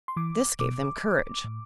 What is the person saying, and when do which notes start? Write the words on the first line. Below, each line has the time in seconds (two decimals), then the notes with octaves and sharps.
This gave them courage.
0.08 C6
0.16 E3 D6
0.59 B2 D6
1.44 A2